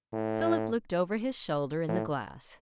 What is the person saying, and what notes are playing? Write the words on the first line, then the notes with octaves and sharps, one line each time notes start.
Philip looked over his shoulder in the glass.
A2
A2